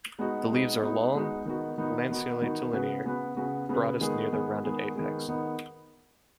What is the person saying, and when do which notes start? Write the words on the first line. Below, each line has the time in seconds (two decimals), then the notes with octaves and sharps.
The leaves are long, lanceolate to linear, broadest near the rounded apex.
0.19 G#3 B3 D#4 F#4
0.49 G#3 B3 D#4 F#4
0.82 G#3 B3 D#4 F#4
1.14 G#3 B3 D#4 F#4
1.45 D#3 B3 D#4 F#4
1.78 D#3 B3 D#4 F#4
2.09 D#3 B3 D#4 F#4
2.42 D#3 B3 D#4 F#4
2.73 C#3 B3 F#4 B4
3.04 C#3 B3 F#4 B4
3.36 C#3 B3 F#4 B4
3.69 C#3 B3 F#4 B4
4.01 D#3 G#3 B3 G#4
4.32 D#3 G#3 B3 G#4
4.64 D#3 G#3 B3 G#4
4.95 D#3 G#3 B3 G#4
5.28 D#3 B3 D#4